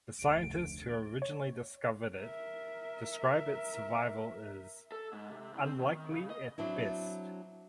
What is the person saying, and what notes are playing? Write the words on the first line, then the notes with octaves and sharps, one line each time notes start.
The scientists who originally discovered it describe its survival is "unlikely at best".
F1 D2 D7
C#5
A#4 E5
A4
G#2
C3
C2
C4
D#3
C#3
D#5
F#3 C4 D4 E4